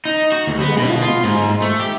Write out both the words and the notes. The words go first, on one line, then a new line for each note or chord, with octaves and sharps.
Reality TV.
D#4
F#4
D2
B3
B2
F4
G#2
A3
G4